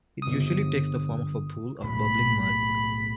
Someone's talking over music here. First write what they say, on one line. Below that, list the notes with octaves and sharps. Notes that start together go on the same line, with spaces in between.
It usually takes the form of a pool of bubbling mud.
G1 D#6
B1 A2 F#3 B5